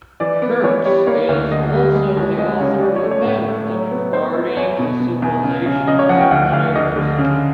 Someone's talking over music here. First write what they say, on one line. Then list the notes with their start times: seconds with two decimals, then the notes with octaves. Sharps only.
Kurtz is also the author of a pamphlet regarding the civilization of the natives.
0.20 E3 D5
0.42 B3
0.63 E3 C#5
0.85 G3 C#5
1.07 A#3 C#5
1.29 D2
1.51 D3 D#5
1.73 G3
1.94 G#3
2.17 D#2
2.38 G#3 D#5
2.60 C#3 C#5
2.82 C#4 D5
2.96 C#5
3.03 A3
3.11 C#5
3.25 A2
3.48 A3
3.70 F#3
3.91 B3
4.13 B3 C5
4.35 B3
4.57 E2 C#5
4.79 B2
5.00 B2
5.22 E2
5.43 C#3
5.66 C#3
5.88 C#3 D#5
5.99 C#5
6.09 F3 F#5
6.20 G5
6.31 D2 F#5
6.52 D2 F5
6.75 D2 D#5
6.96 D3
7.18 C#3